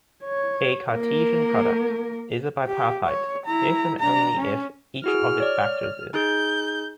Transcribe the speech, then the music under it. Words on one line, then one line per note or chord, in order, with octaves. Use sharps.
A Cartesian product is bipartite if and only if each of its factors is.
C#5
A#3 A#4
G4
C#5
E4 A#5
D4 A#5
C#4
E4 F#4 G#4 F6
C#5 D5
D#4 G#4 G6